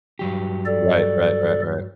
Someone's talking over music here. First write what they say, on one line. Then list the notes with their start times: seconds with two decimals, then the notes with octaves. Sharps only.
Right, right, right, right.
0.19 G2 F#3 G4
0.66 A4 D5